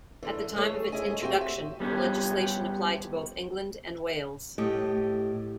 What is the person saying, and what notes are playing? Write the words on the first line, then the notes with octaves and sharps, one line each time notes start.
At the time of its introduction the legislation applied to both England and Wales.
E2 D3 E3
A3 G#4 C#5
D2 C#4 E4 G#4 D#5 G#5
C4 F#4 G4 E5 G#5
E5
G3 B3 C#4 G4
A2 G4 D#5